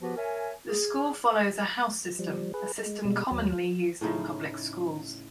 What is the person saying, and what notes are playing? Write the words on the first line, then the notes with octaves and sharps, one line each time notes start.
The school follows a house system, a system commonly used in public schools.
F3 B3 F#4 G4 B4
A#4 C#5 E5 G#5
G#4
F3 G3
G#4 B4
G#3
B2 G3 G#3
D#2 F#3
A2 C#3 D#4 E4